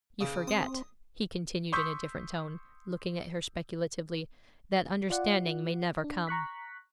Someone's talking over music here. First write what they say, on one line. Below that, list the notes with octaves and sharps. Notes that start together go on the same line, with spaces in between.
You forget,' he continued in a different tone, looking at her speculatively, 'that understanding may never come.'
C#3
C4 D#6
C6 C#6 D#6 E6 G6 B6
F4 D5 F#5
D4
A#5 C#6 F#6 B6